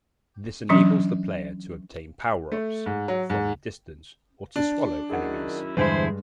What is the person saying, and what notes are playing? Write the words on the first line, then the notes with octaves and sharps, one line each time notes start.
This enables the player to obtain power-ups from a distance or to swallow enemies.
E3 F#3 C#4 D4
A3
G#2
F#3
G#2
D4
F#2 D#3 E4 G#4 F#5
E2 G2 D3 G#3 E4 G#4 C5